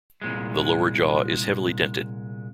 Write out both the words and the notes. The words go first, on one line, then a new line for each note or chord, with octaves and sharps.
The lower jaw is heavily dented.
C2 A#2 G#3